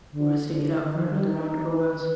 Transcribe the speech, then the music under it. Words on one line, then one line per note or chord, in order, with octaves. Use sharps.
Or stick it out for another round of romance?
D3
D3
D#3
F3
G3
D#4
D#4
B4